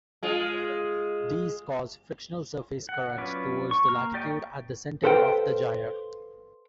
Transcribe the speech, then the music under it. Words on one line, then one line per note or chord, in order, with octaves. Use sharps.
These cause frictional surface currents towards the latitude at the center of the gyre.
G#3 F4
F#5
F#3 C#4 F4 B4 D5
C#6
A#3 A#5 F6
G4 D5 D#5 G5 C#6
A4 B4 C5 F5 G5